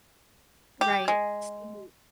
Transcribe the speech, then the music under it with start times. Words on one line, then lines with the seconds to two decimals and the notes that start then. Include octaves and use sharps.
Right. See,
0.81 G4
1.08 G#3